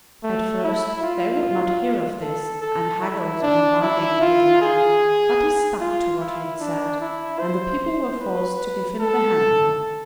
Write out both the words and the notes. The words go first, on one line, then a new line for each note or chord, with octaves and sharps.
At first they would not hear of this, and haggled and bargained with the man, but he stuck to what he had said, and the people were forced to give him the hand-mill.
A3
E4
F4
A4
A4
E4
D4
E4
F4
G#4
F4
E4
D4
E4
C5
B4
A4